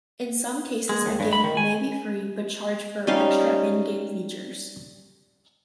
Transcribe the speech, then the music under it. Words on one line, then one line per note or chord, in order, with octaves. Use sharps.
In some cases a game may be free, but charge for extra in-game features.
G#3
D#2
G2
B5
D#3
G#5
G3 C#4 D#4 F5